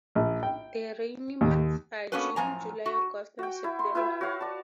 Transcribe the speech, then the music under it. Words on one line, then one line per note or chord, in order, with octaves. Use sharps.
The rainy months are June, July, August and September.
A#1
G5
D#2
A#3 B3 C#4 F#4 A4 B4
F#2 A2 F3 G#5 A#5
F#4
F#4 G5
E4
C6
E4 B4 E5 G5
F#4 C#5 F5
D5 A5